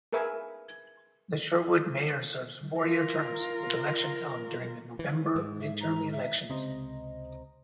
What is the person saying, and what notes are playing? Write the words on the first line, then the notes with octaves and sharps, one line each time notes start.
The Sherwood Mayor serves four-year terms, with election held during the November midterm elections.
G#4 A#4 B4 E5 G#5
F4 A#4
E3
G#2
E5
A#5
E5
C#2 C3 C5 D#5 A#5